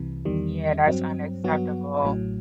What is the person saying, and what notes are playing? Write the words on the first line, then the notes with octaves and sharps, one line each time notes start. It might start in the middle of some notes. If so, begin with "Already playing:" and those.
Yeah, that's unacceptable.
Already playing: C2 C3 E3
E2 D#3 G3
G2 F#3 C4
G2 F#3 B3 F#4
A1 A2 F#3